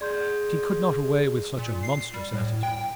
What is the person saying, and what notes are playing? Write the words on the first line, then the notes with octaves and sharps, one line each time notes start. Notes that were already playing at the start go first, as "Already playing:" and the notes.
But he could not away with such a monstrous attitude.
G#4 D5 C6 G6
A#2
C7
G3
A2
G5